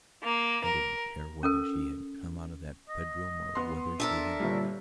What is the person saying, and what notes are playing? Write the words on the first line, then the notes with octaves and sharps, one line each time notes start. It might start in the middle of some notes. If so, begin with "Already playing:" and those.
I didn't care whether she had come out of that bedroom or whether she hadn't.
A#3
A#4
C#4 A4 A#4
D#5
B3 C6
D4 A4 A#4 E5
G1 A#2 G3